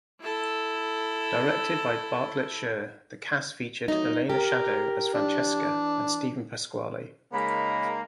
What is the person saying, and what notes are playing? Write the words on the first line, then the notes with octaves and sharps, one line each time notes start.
Directed by Bartlett Sher, the cast featured Elena Shaddow as Francesca and Steven Pasquale.
E4 A4
F#3 A3 D#4 D#5
G4 A#4
E3 D4
C#3 G#3 A#3 D#4 A#4 A#5 B5